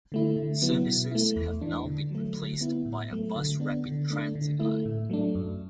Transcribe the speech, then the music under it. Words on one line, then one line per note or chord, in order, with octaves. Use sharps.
Services have now been replaced by a Bus Rapid Transit Line.
D3 A3 E4
D3
F#3 B3 E4
B2
A3 E4
E2
E3 D4
D3
F#3 A3
D3
B3 E4
A2
F#3 A3
D3
B3 D4
D3
A3 D4
D3
A3 E4
A2
F#3 A3 D4
F#2